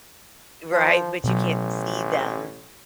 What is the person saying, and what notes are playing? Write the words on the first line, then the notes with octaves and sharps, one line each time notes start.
Right, but you can't see them.
F3
A1 B2 F#3